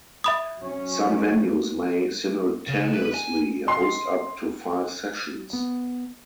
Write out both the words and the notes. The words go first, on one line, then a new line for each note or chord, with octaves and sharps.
Some venues may simultaneously host up to five sessions.
E5 B5 D#6
F#3 C#4
C#3
B4
G#5
D#5 C6 C7
B3